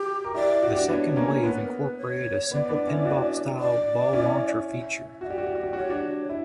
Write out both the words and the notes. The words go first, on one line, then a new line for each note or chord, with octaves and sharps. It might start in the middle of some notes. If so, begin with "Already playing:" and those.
The second wave incorporated a simple pinball-style ball launcher feature.
Already playing: F#4 G4
A#4
E4 G4 D5
F#4
G4
D4 F#4
B3 D4 C#5
A#3 C#4
B3 B4
A#4
B4
C#5
B3 D5
B3 D4
C#4 E4
D4 F#4
D5
C#4 E4
E5
F#4 E5
G4 D5
F#4
G4
F#4
G4
F#4 C#5
G4
D4 F#4
E4